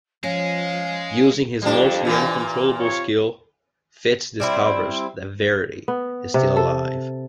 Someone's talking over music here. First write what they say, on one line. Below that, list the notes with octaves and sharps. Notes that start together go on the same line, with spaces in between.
Using his mostly uncontrollable Skill, Fitz discovers that Verity is still alive.
F3 G#3 C#4 F5
F2 G3 D4
A#2 E3 A#3
C3 F4 C#5
G3 C4 E4
B3
C3
A4